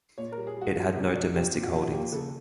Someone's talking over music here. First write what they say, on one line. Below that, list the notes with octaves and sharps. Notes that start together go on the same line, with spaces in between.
It had no domestic holdings.
A#2 C#5
A#4
G3
G#4
G3 F#4
F3 F#4
C3
D4
F3 G4
A#2
F#4
F3
A#3 G4
C#3 A4